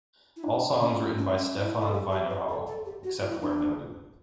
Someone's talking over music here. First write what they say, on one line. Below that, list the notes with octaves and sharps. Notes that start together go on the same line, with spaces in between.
All songs written by Stefan Weinerhall, except where noted.
E4
D4
C#4
C#4
C#4
C#4
E4
A4
G4
G4
B4
A4
A4
G4
F#4
E4
D4